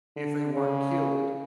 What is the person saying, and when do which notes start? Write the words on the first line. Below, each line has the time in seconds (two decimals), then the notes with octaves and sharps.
if they weren't killed,
0.16 D3
0.54 C#3